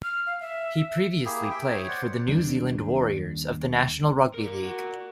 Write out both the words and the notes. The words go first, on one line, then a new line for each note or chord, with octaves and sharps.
He previously played for the New Zealand Warriors of the National Rugby League.
F6
F5
E5
A#3 E4 G4 G#4
E5 G5
C#5
C5 D5 F#5
D#2 G3 C4 D4
A#4 D5
F#4